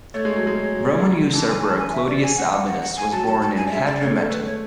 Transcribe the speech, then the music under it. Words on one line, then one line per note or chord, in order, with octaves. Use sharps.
Roman usurper Clodius Albinus was born in Hadrumetum.
A3 C#5
G#3
F#3
G#3
F#3
E3 A5
G#5
A5
G#5
E5
D5
G#5
F#5
F#5
F#5
F#5
G#5
F#3 A5
A5
A5
G#5
D5
G#3 E5
D5
A3 C#5
A4
A3 B4
C#5